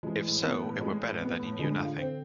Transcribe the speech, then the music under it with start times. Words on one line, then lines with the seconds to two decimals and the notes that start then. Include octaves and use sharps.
If so, it were better that he knew nothing.
0.03 E3 G#3
0.23 A2
0.42 B3
0.62 A2
0.81 G#3
1.00 A2
1.20 B3
1.40 A2
1.59 D3 G#3
1.78 F4
1.98 C4